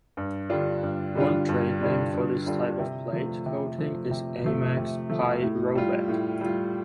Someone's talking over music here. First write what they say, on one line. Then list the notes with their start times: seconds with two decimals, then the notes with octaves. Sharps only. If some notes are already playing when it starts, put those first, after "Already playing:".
One trade name for this type of plate coating is Eimac's "pyrovac".
0.17 G2
0.50 D3 G3 D4 F4
0.83 G2
1.15 D3 G3 D4 F4
1.49 G2
1.81 D3 G3 D4 F4
2.14 G2
2.46 D3 G3 D4 F4
2.80 C3
3.12 F3 A3
3.46 C3
3.78 F3 A3
4.11 C3
4.44 F3 A3
4.77 C3
5.10 F3 A3
5.42 A2
5.75 G3 F4
6.08 A2
6.41 G3 F4